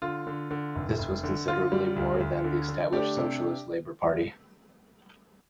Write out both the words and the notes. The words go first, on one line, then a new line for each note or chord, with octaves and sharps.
This was considerably more than the established Socialist Labor Party.
D3 F4
D3
D3
F1
F1
D3
D3 F4
G3
D2
D2
D3
D3
A3 D4 G4
C3